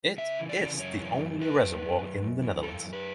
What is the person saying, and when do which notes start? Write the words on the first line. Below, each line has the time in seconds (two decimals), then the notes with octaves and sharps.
It is the only reservoir in the Netherlands.
0.18 C#3 E5
0.39 E3
0.49 D5
0.60 C#3
0.79 F#2 C#5
1.00 E3
1.20 F#2
1.41 F#2 B4
1.60 F#2
1.82 F#2
2.01 F#2
2.22 F#2
2.42 E3
2.63 F#2 A4
2.83 F#2
2.93 B4